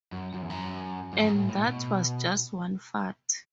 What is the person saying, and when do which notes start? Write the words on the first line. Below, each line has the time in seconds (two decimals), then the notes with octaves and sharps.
And that was just one fart.
0.12 F#2
0.34 F#2
0.42 E2
0.50 F#2
1.13 F#2
1.20 G#2
1.35 A2
1.49 A2
1.63 B2